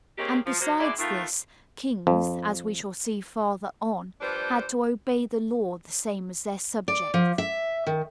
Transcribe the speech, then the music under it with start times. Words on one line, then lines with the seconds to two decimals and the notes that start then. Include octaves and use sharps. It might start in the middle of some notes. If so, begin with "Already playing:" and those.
And besides this, kings, as we shall see farther on, had to obey the law the same as their subjects.
0.18 A#3 C4 C#4 D#4 G4 G#4
0.45 F3
0.61 F#3 A#3 C5
0.79 B2 G#3 E4 D5
0.99 D#3 A3 B3 E4 F4
2.07 F2
4.21 F3 G3 D4 B4 C5
6.88 D5
7.14 F3
7.38 E5
7.87 D#3